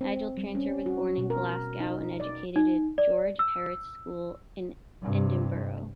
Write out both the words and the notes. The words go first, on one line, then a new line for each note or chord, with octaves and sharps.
Nigel Tranter was born in Glasgow and educated at George Heriot's School in Edinburgh.
C4
G3
C#4
F#4
B2
A#4
D#4
D5
D#4
D5
E6
G2 C3